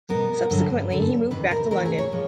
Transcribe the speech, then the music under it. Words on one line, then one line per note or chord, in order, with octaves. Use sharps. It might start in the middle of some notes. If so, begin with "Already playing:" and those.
Subsequently, he moved back to London.
B2 G3 B3 A#4
G2 D3 F#3 B3
F#2 D3 G3
F2 C3 D#3 B4
A#4
C3 E3 A3 C#4 A#4
G#4
C#5
C3 F3 G#3